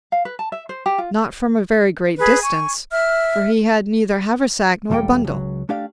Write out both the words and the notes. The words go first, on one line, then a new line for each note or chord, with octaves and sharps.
Not from a very great distance; for he had neither haversack, nor bundle.
F5
B4
A5
E5
C5
G4
F4
G#4 B4 B5
G#5 C#6
E5 F6
B1 E2 G3 A#3 A4 G5
C#2 F#3
A3 D4 G4 D5 F5